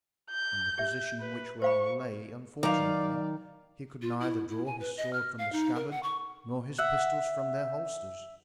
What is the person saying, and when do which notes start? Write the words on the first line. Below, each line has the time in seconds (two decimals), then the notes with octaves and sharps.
In the position in which Raoul lay, unfortunately, he could neither draw his sword from the scabbard, nor his pistols from their holsters.
0.30 G6
0.78 G4 E5
1.20 B4
1.62 C5 F5 B5 C#6
2.63 D#3 F#3 D#4 D5 F5 D6
4.02 F4
4.21 E4
4.49 E4
4.66 G#5
4.80 B4
4.97 D#5
5.13 F6
5.38 F5
5.53 D#4
5.75 A#4
5.91 F#5
6.03 C#6
6.78 E5 F#5